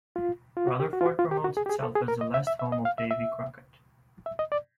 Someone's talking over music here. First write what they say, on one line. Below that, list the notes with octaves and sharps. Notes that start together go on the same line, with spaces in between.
Rutherford promotes itself as the "Last Home of Davy Crockett".
F4
F4
F#4
G4
F#4
F4
F#4
F4
G4
F#4
G#4
G4
G#4
A4
G#4
A#4
D#5
E5
E5
E5
D#5
F5
E5
E5
E5
D#5
D5